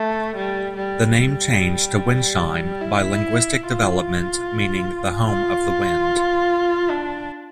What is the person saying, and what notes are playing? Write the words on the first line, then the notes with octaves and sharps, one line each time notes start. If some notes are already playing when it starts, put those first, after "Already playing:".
The name changed to "Windsheim" by linguistic development, meaning "the home of the wind".
Already playing: A3
G3
G3
G3
E4
F4
F4
D4